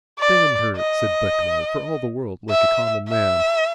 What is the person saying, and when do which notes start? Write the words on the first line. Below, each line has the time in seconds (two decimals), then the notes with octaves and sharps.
"Damn her," said Bechamel, for all the world like a common man.
0.19 D5
0.76 D#5
2.50 E5
3.08 E5